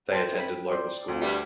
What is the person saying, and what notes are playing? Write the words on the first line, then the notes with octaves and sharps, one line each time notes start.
They attended local schools.
C5 G5 A5 D#6
B5
C5 D5 C6
D2
G2 G3 E5